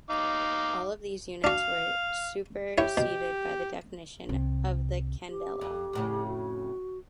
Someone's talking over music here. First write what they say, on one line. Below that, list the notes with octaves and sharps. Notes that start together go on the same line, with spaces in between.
All of these units were superseded by the definition of the candela.
D#4 F5 D6
D4 F#4 F5
E4 G4 C#5
B2
C2 C3
G4
F2
F2 A2 C#3
F#4